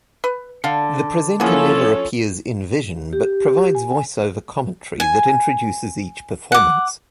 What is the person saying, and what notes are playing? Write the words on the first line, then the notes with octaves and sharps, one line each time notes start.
The presenter never appears in-vision, but provides voice-over commentary that introduces each performance.
B4
D3 F5 F#5
F3 A#3 C#4 E4 F4 G#4 A4 F#5
C#5
G4
G#5
G#5
F#5 D6